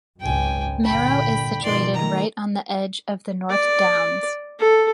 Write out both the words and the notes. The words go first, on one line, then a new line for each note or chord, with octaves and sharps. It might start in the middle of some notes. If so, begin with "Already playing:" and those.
Merrow is situated right on the edge of the North Downs.
G#1 C#2 F#2 G5 G#5
G1 A#2 D3 G5 B5
B2 D#3 F3 D5 C6
D#3 A3 A#5
D5
A4